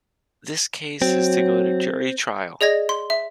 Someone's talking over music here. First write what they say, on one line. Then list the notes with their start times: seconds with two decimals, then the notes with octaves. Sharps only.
This case is to go to Jury trial.
1.02 F#3 C4
2.61 G#4 D5 D#5 G#6 A#6
2.89 C6
3.10 E5